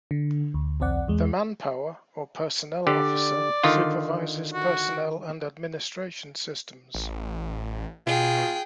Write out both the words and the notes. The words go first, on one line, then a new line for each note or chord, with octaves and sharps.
The manpower or personnel officer supervises personnel and administration systems.
D3
D2
B1 E2 C4 D5 F#5
E2 G#3
D3 G4 D5
D3 D#3 F4
F#4
A1
B2 F4 G#4 G5